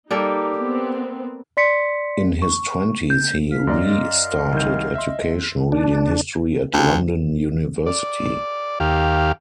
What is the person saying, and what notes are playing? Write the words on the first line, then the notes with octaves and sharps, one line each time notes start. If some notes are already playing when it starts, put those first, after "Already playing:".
In his Twenties he re-started education reading history at London University.
G3 A#3 D#4 G4 A4
B3 C4
D5 C6 B6 C#7
C#6
G6
F5 B6
F#2 D5 D#5
C2 D#3 G6
E5 C6
D4
D2
D5
D#2 G4 F5